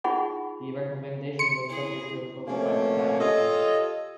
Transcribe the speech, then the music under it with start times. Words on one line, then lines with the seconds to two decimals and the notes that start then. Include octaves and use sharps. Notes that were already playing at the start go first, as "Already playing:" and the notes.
The recommendation was subject to approval by the Thai cabinet.
0.04 D#4 F4 G#4 F#5 B5 C#6
1.39 C6 C#7
1.70 E4 G#4
2.47 F3 A3 A#3 C4 C#4
3.20 F4 G4 A4 C#5 D#5